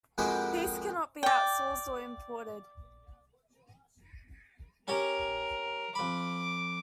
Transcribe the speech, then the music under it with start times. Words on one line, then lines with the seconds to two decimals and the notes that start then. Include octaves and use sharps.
Peace cannot be outsourced or imported.
0.18 F2 G#3 A#3 F#4 G4 B5
1.23 D5 G5
4.88 C#4 G4 A#4 C#5
5.95 F2 B5 D6